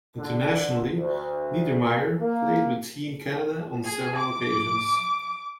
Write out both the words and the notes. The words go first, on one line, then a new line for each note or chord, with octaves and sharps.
Internationally, Niedermayer played with Team Canada on several occasions.
D3
D2
A#3
G#4
D6